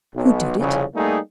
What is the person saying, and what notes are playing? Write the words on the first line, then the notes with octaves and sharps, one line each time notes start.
Who did it?
B1
C2 F2 C#3
G3 A3 A#3 D#4 G#4